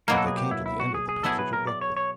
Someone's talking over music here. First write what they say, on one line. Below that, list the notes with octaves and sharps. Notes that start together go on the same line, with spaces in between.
But they came to the end of the passage abruptly.
B2 F#3 A#3 A#4
A4
G#4
G4
E4
E4
F#4
G#4
G#4
F#3 B3 E4 G#4 A4
B4
A#4
D5
C#5
C#5